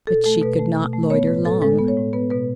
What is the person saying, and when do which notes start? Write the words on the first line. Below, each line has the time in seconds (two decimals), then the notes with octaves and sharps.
But she could not loiter long.
0.07 B2 A4
0.24 A3 A4
0.41 B2 B4
0.59 A3
0.76 B2
0.93 A3
1.10 B3 C#5
1.27 A2 B4
1.45 A2 A4
1.62 G#3 A4
1.79 B3
1.88 C#5
1.97 A2
2.13 B3 B4
2.30 B2 B4